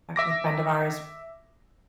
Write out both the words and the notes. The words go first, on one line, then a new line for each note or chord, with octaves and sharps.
the friend of ours
E5 D6 A#6